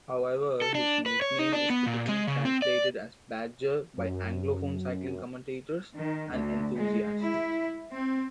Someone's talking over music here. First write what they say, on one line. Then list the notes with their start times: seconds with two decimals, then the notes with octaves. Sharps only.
However, his nickname is typically translated as "badger" by Anglophone cycling commentators and enthusiasts.
0.62 A4
0.75 D4
1.06 B4
1.22 C#5
1.39 D#4
1.53 D4
1.70 B3
1.86 A#2
2.09 G#3
2.27 C#3
2.45 C4
2.62 D5
3.98 F#2
5.94 D#3
6.30 D2
6.75 G#3
7.23 E4
7.93 C4